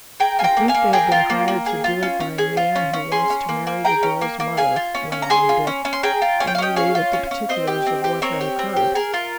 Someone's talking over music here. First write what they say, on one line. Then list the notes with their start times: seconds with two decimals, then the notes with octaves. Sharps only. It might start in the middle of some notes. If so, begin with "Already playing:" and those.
"I think they have been hired to do it by a man who wants to marry the girl's mother," went on Dick, and related the particulars of what had occurred.
0.20 G#4 G5 A#5
0.39 F4 G#5
0.44 G5 A#5
0.57 A#3
0.68 F5 G#5
0.74 A#3
0.93 G#4 G5 A#5
1.12 F4
1.30 A#3
1.48 A#3
1.66 G#4
1.84 F4
2.03 C#4
2.20 C#4
2.38 G#4
2.57 F4
2.76 C#4
2.93 C#4
3.12 G#4 G#5 C6
3.30 C#4
3.49 A#3
3.67 A#3
3.85 G#4 G5 A#5
4.03 C#4
4.21 A#3
4.40 A#3
4.57 G#4 F5 G#5
4.76 F4
4.95 C#4
5.12 C#4
5.22 A#5
5.30 G#4 G#5 C6
5.49 F4
5.67 C#4
5.85 C#4
5.93 C6
6.03 G#4 G5 A#5
6.22 F4
6.40 C#4 G#5
6.47 G5
6.55 F5
6.58 C#4 D#5 G5
6.76 G#4 C#5 F5
6.95 F4
7.13 C#4
7.31 C#4
7.49 C4 C5 D#5
7.67 G4
7.86 C4
8.04 G4
8.22 C4 A#4 C#5
8.41 G4
8.59 C4
8.76 G4
8.95 G#4 A#4
9.14 F4